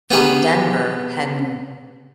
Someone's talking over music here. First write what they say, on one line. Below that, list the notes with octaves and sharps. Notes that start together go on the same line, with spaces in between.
from Denver heading
B3 G4 G#4 B4